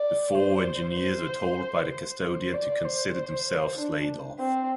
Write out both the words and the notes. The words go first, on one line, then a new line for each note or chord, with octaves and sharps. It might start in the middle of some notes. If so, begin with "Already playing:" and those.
The four engineers were told by the custodian to consider themselves laid off.
Already playing: D5
C5
C5
C5
D5
C5
D4
C4